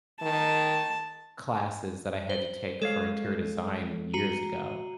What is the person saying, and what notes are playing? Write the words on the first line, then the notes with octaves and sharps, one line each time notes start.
classes that I had to take for interior design years ago,
D#3 A5
C5
G#3 A4 C#5 F5
F#4 A#5 D#7